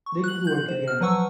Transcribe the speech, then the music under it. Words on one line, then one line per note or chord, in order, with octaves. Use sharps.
They could work again.
C#6
F#6 F#7
G6 F#7
C5
F6
F3 F#3 B4 F#5 C#6 E6